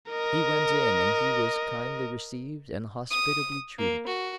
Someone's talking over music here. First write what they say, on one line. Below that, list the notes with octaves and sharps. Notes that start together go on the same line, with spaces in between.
He went in, and he was kindly received and hospitably treated.
A#4 D#5
D#6
A#3
F#4